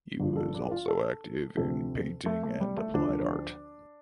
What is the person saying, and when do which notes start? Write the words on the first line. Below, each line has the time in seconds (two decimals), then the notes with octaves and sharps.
He was also active in painting and applied art.
0.20 G1 G2 F3
0.37 A4
0.54 D4
0.71 F4
0.88 A4
1.57 D2 C3 F3 A4
2.26 A3
2.43 A3
2.60 G3
2.78 A3
2.94 D2 D3 F3 D4